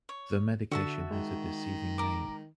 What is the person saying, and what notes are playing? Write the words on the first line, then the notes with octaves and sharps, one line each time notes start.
The medication has a deceiving name.
C#5
D3 F#4 E5 A5
D#3 G#3
A#4 D6